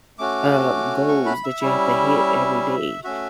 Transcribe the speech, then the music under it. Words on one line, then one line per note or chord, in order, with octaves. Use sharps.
uh, goals that you have to hit every day
A3 C#4 F#4 D6
C#6
B5
E5
G3 C#4 E4
A3 C#4 F#4 E5